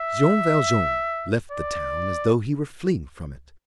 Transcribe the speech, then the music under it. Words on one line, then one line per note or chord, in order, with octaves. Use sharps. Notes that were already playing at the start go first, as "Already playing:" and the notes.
Jean Valjean left the town as though he were fleeing from it.
Already playing: E5
D5